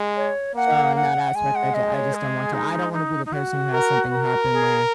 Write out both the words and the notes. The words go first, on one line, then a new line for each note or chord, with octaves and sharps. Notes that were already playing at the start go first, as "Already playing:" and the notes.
so, in that aspect, I j I just don't want to I don't wanna be the person who has something happen where,
Already playing: G#3
C#5
A#3 F#5
F#5
G#3 G#5
F#5
D#5
C#5
G#4
D#4
D#4
D#4
F#4
A#4
A#4
G#4